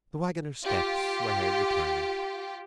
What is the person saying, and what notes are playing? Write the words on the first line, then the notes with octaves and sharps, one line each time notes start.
The waggoner's steps were heard returning.
F4 G4